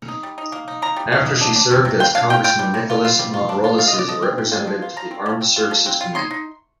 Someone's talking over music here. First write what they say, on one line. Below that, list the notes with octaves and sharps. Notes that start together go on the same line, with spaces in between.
After she served as Congressman Nicholas Mavroules' representative to the Armed Services Committee.
D#4
G3
D#4
A#3
D#4
A#3 A#5
G3
D#4
A#3
D4
D4
C3
C3
F4 G5
D4 F5
F4 G5
F4 G5
G3
C3
F4
F4
G3
F4
D4
F4
F4 F5
D#5
F4
D5
F3 D#5
C4
C4
F4
F3
F4
F3 A#5
C4
F3
C4
F4
F3
C4
F4
D#4 C6
D#4